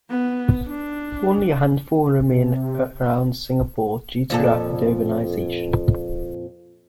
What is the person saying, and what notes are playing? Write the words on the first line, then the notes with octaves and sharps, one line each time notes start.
Only a handful remain around Singapore due to rapid urbanisation.
B3
D4
C3
F2 A#2 A4